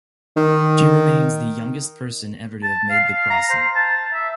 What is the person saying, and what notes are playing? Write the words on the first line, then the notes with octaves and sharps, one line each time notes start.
She remains the youngest person ever to have made the crossing.
D#3
A5
F5
A#5
C5
A5
E5